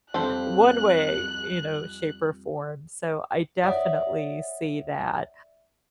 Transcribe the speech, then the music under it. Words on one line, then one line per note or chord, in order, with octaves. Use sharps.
One way, you know, shape or form, so, I definitely see that,
F2 G3 A4 C5 F#6
C#5 D5 E5 F#5 D#6